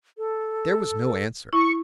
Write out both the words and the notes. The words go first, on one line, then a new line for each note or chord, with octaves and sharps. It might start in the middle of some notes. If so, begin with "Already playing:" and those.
There was no answer.
A4
E4 C#6